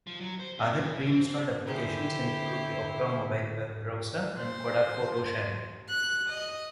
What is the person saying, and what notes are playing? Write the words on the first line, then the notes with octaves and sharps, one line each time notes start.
Other pre-installed applications include the Opera Mobile web browser and Kodak Photo Sharing.
F3
F#3
C5
C3
C#3
D3
C4
C4
D3 E4 G4 G#4 A#4 C5
C5
F#6
D#5